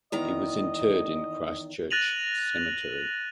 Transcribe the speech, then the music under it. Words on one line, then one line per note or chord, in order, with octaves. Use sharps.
He was interred in Christ Church Cemetery.
E2 D#3 D#5 A#5
F#6 A6 A#6 D#7 F7 F#7